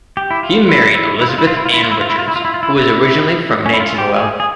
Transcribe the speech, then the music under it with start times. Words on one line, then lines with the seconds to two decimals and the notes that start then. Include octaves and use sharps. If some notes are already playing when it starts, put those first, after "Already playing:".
He married Elizabeth Ann Richards, who was originally from Nantymoel.
0.17 G4
0.31 E4
0.43 F4
0.68 E4
0.95 E4
1.21 E4
1.29 F4
1.38 E4
1.47 F4
1.57 E4
1.65 F4
1.74 E4
1.83 F4
1.91 E4
2.01 F4
2.10 E4
2.19 F4
2.28 E4
2.36 F4
2.45 E4
2.54 F4
2.63 E4
2.76 E4
3.66 C#4
3.73 E4
3.80 F4
3.98 G4
4.16 G#4
4.40 G#4